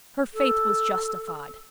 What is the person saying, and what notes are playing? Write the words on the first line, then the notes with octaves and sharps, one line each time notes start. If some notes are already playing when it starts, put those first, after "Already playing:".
Her faith was justified.
A4